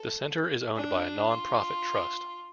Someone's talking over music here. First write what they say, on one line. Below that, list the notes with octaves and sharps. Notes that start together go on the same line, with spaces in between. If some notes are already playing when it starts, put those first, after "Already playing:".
The centre is owned by a non-profit trust.
Already playing: A4
D4
F4